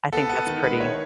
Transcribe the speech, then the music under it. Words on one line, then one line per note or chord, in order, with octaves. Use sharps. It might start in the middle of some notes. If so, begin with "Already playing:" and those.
I think that's pretty.
B3 A4
B3
D#3
G#3 B4
D#3 C#5